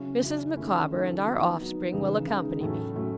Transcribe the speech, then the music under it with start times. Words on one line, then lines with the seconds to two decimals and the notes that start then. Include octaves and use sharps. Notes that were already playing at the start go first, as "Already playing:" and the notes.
Mrs. Micawber and our offspring will accompany me.
Already playing: C#3 F#3 C#4 E4
0.22 C#3 F#3 C#4 E4
0.56 D#3 A3 C#4 E4
0.90 D#3 A3 C#4 E4
1.25 F#3 B3 D#4
1.59 F#3 B3 D#4
1.93 C#3 E3 G#3 D#4
2.27 C#3 E3 G#3 D#4
2.61 A2 F#3 A3 C#4
2.95 A2 F#3 A3 C#4